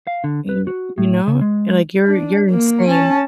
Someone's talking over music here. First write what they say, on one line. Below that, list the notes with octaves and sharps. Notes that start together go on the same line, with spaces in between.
y you know, like you're you're insane.
F5
D3
B4
F#4
A2
C#3
G#3
D4
A#3
C#4 A5